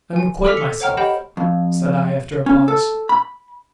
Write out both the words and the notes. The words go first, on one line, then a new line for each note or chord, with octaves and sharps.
'I am quite myself,' said I, after a pause.
G#5
A4 D6 E6 F6 B6 F7
B6 C#7
C5 C#5 F#5 G5 A#5 F6
G4 D#5 F#5 G5 B5 G6
F2
C#4
A4
B5